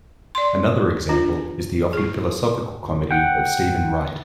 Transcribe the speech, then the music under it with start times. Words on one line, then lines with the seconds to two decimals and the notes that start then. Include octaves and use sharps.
Another example is the often-philosophical comedy of Steven Wright.
0.35 D5 C6
1.09 D4 F4
1.93 E4 G#4
3.11 F#5 G5